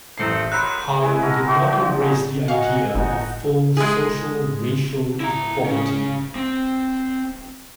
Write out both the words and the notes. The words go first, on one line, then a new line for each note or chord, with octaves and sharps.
Harlan did not embrace the idea of full social racial equality.
A1 A2 D#3 C4 A4 C7
D#3 F#3 B5 C6 E6 F#6
E3 G#3 E4 B4
D#4 F#4 A4 A#4
A2 F#4 C6
A#2 F#4
F3 D4
C#3 F#3 D#4
F#4 A#4 D#5 F5 G#5 C#6
G1 D#4 F#4
G#3 G#4
E4 A#5
C#3 C#4
C4